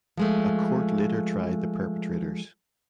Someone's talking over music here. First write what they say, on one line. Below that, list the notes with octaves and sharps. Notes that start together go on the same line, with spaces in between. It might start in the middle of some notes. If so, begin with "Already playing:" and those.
A court later tried the perpetrators.
F3 G#3 A3